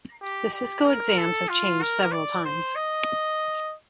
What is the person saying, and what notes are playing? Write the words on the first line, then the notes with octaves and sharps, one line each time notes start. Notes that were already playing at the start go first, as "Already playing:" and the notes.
The Cisco exams have changed several times.
G4
G4
A#4
A4
F4
A#4
D5
C5
D#5